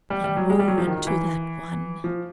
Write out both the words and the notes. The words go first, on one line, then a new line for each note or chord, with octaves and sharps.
"Then woe unto that one!"
G3
G3
F#3
G#3
G3
F#3
F3
D#3
E3
F3